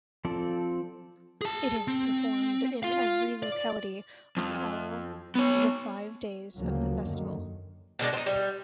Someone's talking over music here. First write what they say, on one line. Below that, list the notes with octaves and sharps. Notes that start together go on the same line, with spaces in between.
It is performed in every locality on all the five days of the festival.
F3 C4 A4 D5
G#4 A5
C4
F4 F5
D5
F2
B3 C#5
D2 C#3 F3 F#3 A#3
F#2 D3 D#3
B2 D#3 G#3 D4
C4 D#4
G3